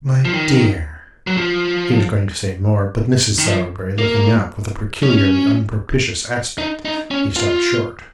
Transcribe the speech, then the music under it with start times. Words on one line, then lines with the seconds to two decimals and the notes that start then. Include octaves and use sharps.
'My dear--' He was going to say more; but, Mrs. Sowerberry looking up, with a peculiarly unpropitious aspect, he stopped short.
0.25 F3
0.33 D#3
1.27 F#3
1.37 F3
3.38 D#3
3.46 F3
3.98 A#3
5.03 C#4
6.58 D#4
6.85 D#4
7.11 C#4
7.36 F4